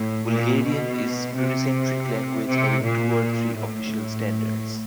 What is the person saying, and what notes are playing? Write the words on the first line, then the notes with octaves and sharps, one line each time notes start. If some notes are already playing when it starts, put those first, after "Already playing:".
Bulgarian is pluricentric language having two or three official standards.
Already playing: A2
A#2
B2
C3
C3
A#2
A2